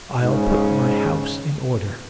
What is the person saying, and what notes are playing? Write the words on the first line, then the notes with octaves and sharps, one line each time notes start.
I'll put my house in order.'
G#2 C#3